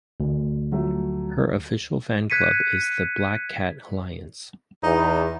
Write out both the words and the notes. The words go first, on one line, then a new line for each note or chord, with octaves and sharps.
Her official fanclub is the "Black Cat Alliance".
D2
F3 F#3 A3
F#6 G#6 B6 C#7 D#7
E2 D#4